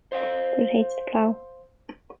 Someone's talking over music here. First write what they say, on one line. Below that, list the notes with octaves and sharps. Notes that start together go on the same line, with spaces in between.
But it hates the plow!
C5 F5 G5